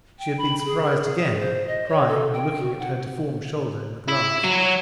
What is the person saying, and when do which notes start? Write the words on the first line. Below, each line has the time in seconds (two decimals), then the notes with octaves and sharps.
She had been surprised again, crying and looking at her deformed shoulder in the glass.
0.19 G5
0.38 B5
0.66 G#4
0.84 A#4
1.04 G#4
1.39 C5
1.68 D#5
1.88 C#5
2.08 A4
2.33 G5
2.60 F#4
2.79 F#5
4.08 E4
4.44 F#3